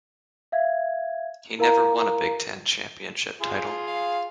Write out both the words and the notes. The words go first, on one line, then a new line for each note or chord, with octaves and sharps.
He never won a Big Ten championship title.
E5 F5 G#6
E4 A#4 F5 A#5
F4 G#4
F5